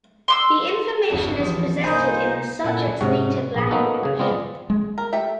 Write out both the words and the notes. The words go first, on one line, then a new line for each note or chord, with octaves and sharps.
The information is presented in the subject's native language.
C6 D6 E6
G1 E2 C#3 A5
A1 E3 F3
C2 A#3 D#4 C5 D#5 G#5 B5 D#6
F4
A#2 E4 A4 F#5 G#5 A5
G#2 C3 C#4 F#4
A#1 G#4
A#3 B3 C#4 D#4 F#4 A4
C#3 G#4
G#3 B3 C4 F4 D5 D#5
G#3
A#4
A3 G4 E5